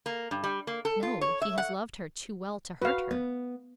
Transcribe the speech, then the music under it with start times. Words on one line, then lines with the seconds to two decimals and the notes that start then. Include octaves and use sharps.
'No, he has loved her too well to hurt her.'
0.06 A#3
0.31 G2
0.44 G3
0.67 A#3
0.85 A4
1.03 F4
1.21 C#5
1.42 E5
1.58 F#5
2.82 F#4 B4 F5
3.11 B3